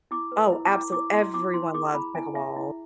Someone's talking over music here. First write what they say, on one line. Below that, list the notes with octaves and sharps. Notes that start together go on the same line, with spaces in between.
Oh, absolu everyone loves pickleball.
E4 D6
B4
E4
D6
E4
E4 D6
E4 C6
E4 D6
E4 C6
G#4 D6
E4 B5
E4 G#5
G#4 E5
E4